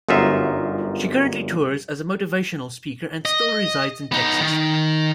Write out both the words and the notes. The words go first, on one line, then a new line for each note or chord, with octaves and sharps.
She currently tours as a motivational speaker and still resides in Texas.
G1 F#2 D#4 F4 E5
D#5
B3 D#4
D#3